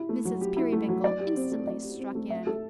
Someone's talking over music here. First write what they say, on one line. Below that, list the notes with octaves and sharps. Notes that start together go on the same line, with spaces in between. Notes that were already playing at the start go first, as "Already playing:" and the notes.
Mrs. Peerybingle instantly struck in.
Already playing: E4 G4
A3
F#3
G4
E4
A3
F#3
D5
G4
C4
A3
D5
G4
C4
A3
E5
A4